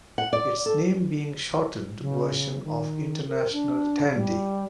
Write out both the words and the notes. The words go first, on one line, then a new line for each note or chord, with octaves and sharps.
Its name being a shortened version of International Tandy.
F#5
D5
A4
C#3
D#3
A#4
D4
G3